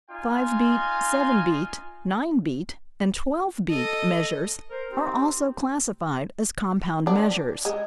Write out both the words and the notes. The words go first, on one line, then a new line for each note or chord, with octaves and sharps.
Five-beat, seven-beat, nine-beat, and twelve-beat measures are also classified as compound measures.
D#4 F4 G#5
A4 D#5
A#4 C5
C4 D#4 G4
D4
G#3